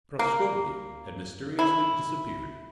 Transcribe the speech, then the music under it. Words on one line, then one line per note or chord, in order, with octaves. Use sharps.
Prascovie had mysteriously disappeared!
A#3
E4